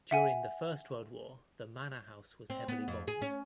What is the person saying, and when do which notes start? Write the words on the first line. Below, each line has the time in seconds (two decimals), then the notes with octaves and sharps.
During the First World War the manor house was heavily bombed.
0.11 E5 F#5 G#5
2.50 C4
2.68 B3
2.88 F2
3.08 G#4
3.22 C#4